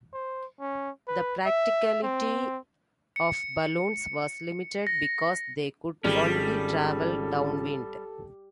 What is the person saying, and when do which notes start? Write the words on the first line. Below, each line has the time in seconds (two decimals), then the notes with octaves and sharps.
The practicality of balloons was limited because they could only travel downwind.
0.13 C5
0.60 C#4
1.08 B4
1.46 E5
2.02 C4
3.16 C#7
4.87 A#6
6.04 G#1 G3 C#4 F4 G#4 A4